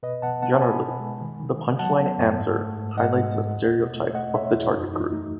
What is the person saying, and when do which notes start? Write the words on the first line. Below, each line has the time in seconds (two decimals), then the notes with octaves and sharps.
Generally, the punch line answer highlights a stereotype of the target group.
0.03 B2 B4 D#5
0.22 B2 F#5 A5
0.42 B3 F#5 A5
0.62 B2 G#5 B5
0.81 B2
1.00 G#3
1.21 D#3
1.40 D#3
1.59 D#3
1.79 F#3 F#5 A5
2.00 B3
2.18 F#2
2.38 G#2
2.58 A3
2.78 G#2
2.97 G#2 D#5 F#5
3.17 G#2
3.37 G#2
3.56 E2
3.75 B2
3.95 A3
4.14 A3 D#5 F#5
4.35 B2 C#5 E5
4.54 E2 E4 G#4
4.74 F#2 D#4 F#4
4.93 E3 D#4
5.13 A3 D#4